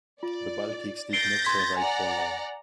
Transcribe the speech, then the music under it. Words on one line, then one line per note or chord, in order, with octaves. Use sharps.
The Baltics did not survive for long.
F4 D5
G6 A6 A#6 C7 D7 G7
C6 G#6 B6
D5 F#5 G#5 A#5